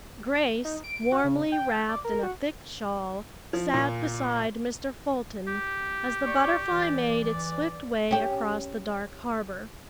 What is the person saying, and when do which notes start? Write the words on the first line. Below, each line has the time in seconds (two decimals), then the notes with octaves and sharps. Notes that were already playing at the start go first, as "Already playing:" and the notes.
Grace, warmly wrapped in a thick shawl, sat beside Mr. Fulton as the Butterfly made its swift way across the dark harbor.
0.65 D#4
0.84 D7
1.12 F#4
1.24 C#3
1.52 G5
1.89 D5
2.05 A#4
2.23 F#4
3.53 F3
3.74 A#2
5.47 G4
6.26 D5 C#6 D6
6.67 E3 D5
8.11 C#4 G4